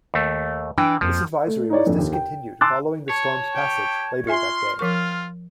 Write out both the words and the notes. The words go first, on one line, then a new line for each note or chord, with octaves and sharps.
This advisory was discontinued following the storms' passage later that day.
D#2 A3
E3 D4 G5
F2 F3 A#3
A3
D#4 E4 C#5 D5
A#1 F2
D#2
G5
A5 C6 D6 E6 F#6 A6
C#5 A5
G4 G5
F4 E5 G#5 C6 F6
F3 C4 F4 A#4 C#6